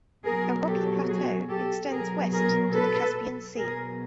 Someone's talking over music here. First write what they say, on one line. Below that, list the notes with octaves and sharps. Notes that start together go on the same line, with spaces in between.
A rocky plateau extends west to the Caspian Sea.
B2 F#3 G#4 A#4
G4 A4
F#4 G#4
G4 A4
B2 F#3 G#4 A#4
G#4 A#4
A4 B4
B2 F#3 G#4 A#4